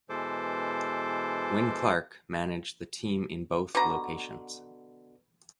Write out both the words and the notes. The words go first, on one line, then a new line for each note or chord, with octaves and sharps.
Win Clark managed the team in both locations.
B2 E3 G#3 A4 C5 D6
B2 D3 A#5